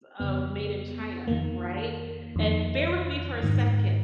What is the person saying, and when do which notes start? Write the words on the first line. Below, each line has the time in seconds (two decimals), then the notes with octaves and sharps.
of Made in China, right, and bear with me for a second,
0.20 F2 C#3 B3
1.28 F2 D#3 A#3
2.36 F2 D#3
3.43 G#2 D#3